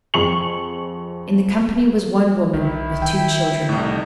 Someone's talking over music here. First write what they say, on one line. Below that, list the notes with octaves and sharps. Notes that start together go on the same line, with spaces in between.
In the company was one woman, with two children.
F2 G#4 C#6 C#7 F#7
B1 D#3 E4
D#3 G5 G6
C2 A2 D#4